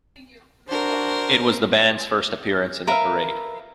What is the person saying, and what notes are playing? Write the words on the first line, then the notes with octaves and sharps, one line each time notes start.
It was the band's first appearance in the Parade.
D4 F#4 A#4 C5
A#4 B4 E5 F5